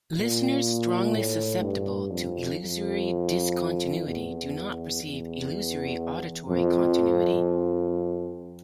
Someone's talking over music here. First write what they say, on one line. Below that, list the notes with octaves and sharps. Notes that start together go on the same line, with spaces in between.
Listeners strongly susceptible to illusory discontinuity do not perceive illusory auditory continuity.
A#2
A2
G2
F2
F2
E2
E2
F2